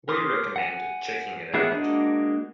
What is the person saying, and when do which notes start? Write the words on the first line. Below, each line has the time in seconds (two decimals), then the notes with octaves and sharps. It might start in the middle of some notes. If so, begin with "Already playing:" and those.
We recommend checking it out.
0.09 A#4 C6 D6 D#6
0.56 F#5 G#5
1.54 E3 B3 G#4 E5 F#6
1.72 G#3 A#3 D4 D#4 F#4